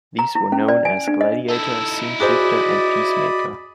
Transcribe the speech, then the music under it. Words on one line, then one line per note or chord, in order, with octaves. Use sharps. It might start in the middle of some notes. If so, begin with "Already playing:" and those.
These were known as "Gladiator", "Sceneshifter" and "Peacemaker".
A#5
E4
C#4
D5
G#5
D4
D#5
D#4 E4 A4
F#4 G#4 C5 D5 D#5 B5